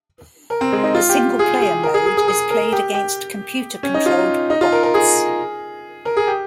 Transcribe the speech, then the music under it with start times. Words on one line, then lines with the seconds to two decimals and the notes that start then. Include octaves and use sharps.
The single-player mode is played against computer-controlled bots.
0.50 A#4
0.61 C4
0.73 G#3
0.83 D#4
0.95 F4
1.09 G4
1.39 G#4
1.61 G#4
1.83 A#4
1.94 G#4
2.06 G#4
2.17 G#4
2.28 G#4
2.50 A#4
2.72 G4
2.94 G4
3.83 C#4
3.94 D#4
4.06 F4
4.50 D#4
4.61 F4
4.72 A#4
4.83 A#4
4.94 G#4
6.05 A#4
6.17 G#4
6.27 G4